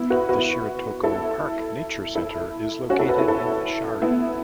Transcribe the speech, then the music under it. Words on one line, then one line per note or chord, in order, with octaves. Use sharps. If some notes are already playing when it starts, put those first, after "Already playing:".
The Shiretoko Park Nature Center is located in Shari.
Already playing: B3 E4
F#4 B4
F#4 B4
E4 A4
E4 A4
C#4 F#4
E4 A4
F#4 B4
E4 A4
E4 A4
B3 E4